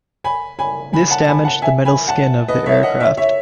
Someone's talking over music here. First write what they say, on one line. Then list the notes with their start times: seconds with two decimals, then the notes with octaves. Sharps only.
This damaged the metal skin of the aircraft.
0.24 G#5 B5
0.59 G#5 B5
0.93 G#5 B5
1.11 F#5 A5
1.27 G#5 B5
1.45 F#5 A5
1.62 E5 G#5
1.85 G#5 B5
2.08 F#5 A5
2.48 B4 D#5
2.66 C#5 E5
2.83 D#5 F#5
3.00 C#5 E5
3.17 C#5 E5